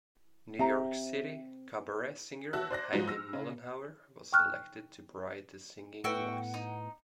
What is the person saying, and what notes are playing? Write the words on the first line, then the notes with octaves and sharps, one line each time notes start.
New York City cabaret singer Heidi Mollenhauer was selected to provide the singing voice.
C4 G4 E5 A#5
F#4 E5 A5 E6 F#6
C5 D5 F#6 A#6
G#2 F3 F#3 G#3 D#4 F#4
E6 F6 A#6
C#3
G5 C#6 F6 F#6
A2 B3 F#4 E5 F#5 G5
D#4